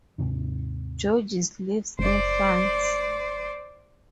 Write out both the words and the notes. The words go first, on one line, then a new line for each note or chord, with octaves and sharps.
Georges lives in France.
D#2 G#2 C3 D#3
F#1 C5 D5